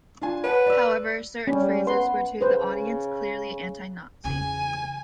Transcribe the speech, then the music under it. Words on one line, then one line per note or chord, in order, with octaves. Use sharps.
However, certain phrases were to the audience clearly anti-Nazi.
D4 F4 G#5
B4 C#5 F#5 A5
D5 E6
G3 C#4
B3 B4 C6
C#3 B4 C5
E2 C#3 G#5